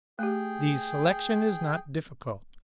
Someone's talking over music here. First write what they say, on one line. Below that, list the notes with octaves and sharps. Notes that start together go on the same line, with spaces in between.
The selection is not difficult.
A3 G4 G#4 G5